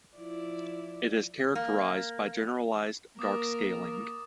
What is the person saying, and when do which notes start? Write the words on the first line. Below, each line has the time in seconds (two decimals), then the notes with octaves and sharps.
It is characterized by generalized dark scaling.
0.17 F3 E4 D5
1.55 A#3
3.19 A#3 A#4 D6 D#6 A6